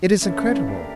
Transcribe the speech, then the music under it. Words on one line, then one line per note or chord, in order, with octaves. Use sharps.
It is incredible!
E3 A#3 C#4 E4 A4
A3 D4 G4 A#4